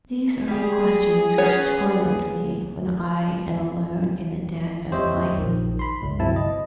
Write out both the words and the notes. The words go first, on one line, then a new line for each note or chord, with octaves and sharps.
These are the questions which torment me when I am alone in the dead of night.
G3 G4 G#4
B3 C#4 C#5
F2 G4 C5 C#5 D#5 E5
A#1 D#3 F3
B5 C6
G1 C#2
G1 C3 F#3 C4 E4 A5
D#5